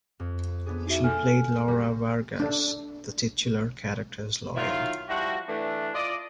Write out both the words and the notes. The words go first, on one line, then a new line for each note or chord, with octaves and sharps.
She played Laura Vargas, the titular character's lawyer.
F2
B3 D4 G#4
D#4 F#4 E5
A4 F#5 G#5 F6
G3 F#4
D4 A4
D#3 F#3 E4 F4
F3 G3 E4 F#4
E3 A3 D4
F4 D5 D#5